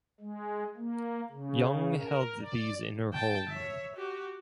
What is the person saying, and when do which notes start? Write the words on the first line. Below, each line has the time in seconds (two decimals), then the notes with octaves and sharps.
Young held these in her home.
0.21 G#3
0.77 A#3
1.31 C#3
1.98 A#4
2.40 D5
3.14 G5 A5
3.50 C#5 E5
3.96 F#4 G4